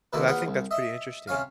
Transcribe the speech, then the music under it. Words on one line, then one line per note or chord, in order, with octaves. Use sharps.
'cause I think that's pretty interesting.
B2 D3 D#3 A3 A#3
A#1 B3 F4 C#5 F#5
C2
D#5 E5
C3 C#4 C#5 F5